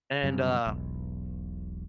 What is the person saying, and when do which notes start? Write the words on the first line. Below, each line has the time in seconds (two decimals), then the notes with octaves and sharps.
And, uh,
0.23 F#2 C#3 G3
0.67 E1 B1